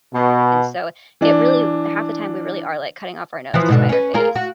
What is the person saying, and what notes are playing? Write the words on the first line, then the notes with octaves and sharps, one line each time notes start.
and so it really half the time, we really are, like, cutting off our nose to spite our face.
B2
E3 D4
E3 F3
G#2 B2 D3
C#4 B4
F4 G#4 A#4
F#4